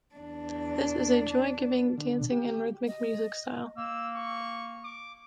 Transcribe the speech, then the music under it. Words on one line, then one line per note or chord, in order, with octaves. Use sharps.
This is a joy-giving, dancing and rhythmic music style.
E2 D4
D3
G4
D#5
A#3 E6
C#6
D6